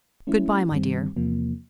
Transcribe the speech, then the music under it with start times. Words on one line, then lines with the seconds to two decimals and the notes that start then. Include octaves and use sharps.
"Good-bye, my dear."
0.27 A3 C#4 E4
0.71 G2 D#3 G3 C4
1.16 E2 C3 F3 A#3